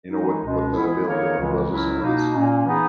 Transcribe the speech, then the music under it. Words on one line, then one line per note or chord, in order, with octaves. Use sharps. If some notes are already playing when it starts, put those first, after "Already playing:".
you know, what what the availability was of some of this.
E3 G#3 D#4
C#2 B2 G#3 C#4
E3 G#3 B3 E4
D#3 A#3 D#4 A#4 C#5
C#2 C#3 E3 G#3
C#2 C#3 F#3 C#4 E4
B2 A#3 D#4
A#2 A#3 C#4
E3 B3 D#4 G#4